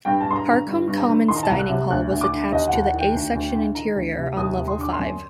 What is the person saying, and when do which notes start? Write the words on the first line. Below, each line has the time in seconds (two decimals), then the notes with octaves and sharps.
Harcombe Commons dining hall was attached to the A-section interior on level five.
0.05 G2 G5
0.21 A5
0.26 G2 C6
0.36 A#5
0.46 D3 A#5
0.67 G2
0.88 G2
0.98 A#5
1.08 D3
1.28 D#3 C6
1.36 A#5
1.43 A5
1.49 C2 A#5
1.59 F#6
1.70 C3
1.90 D2 F#6
2.11 D2
2.21 D6
2.32 D3
2.52 D#2 D#5
2.67 F#5
2.73 D#2
2.83 F#5
2.93 D#3
2.98 G5
3.14 D2
3.35 D2
3.55 D3
3.75 D#3 A#5
3.96 D2
4.16 C3
4.37 D#2 D#6
4.57 D#2
4.68 C6
4.78 D3 D6
4.93 C6
4.99 F#2